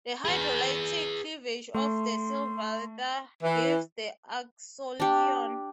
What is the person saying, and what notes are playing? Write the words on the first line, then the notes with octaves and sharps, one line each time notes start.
The hydrolytic cleavage of the silylether gives the acyloin.
G#4 B4
A3 C6
E3
D4 G4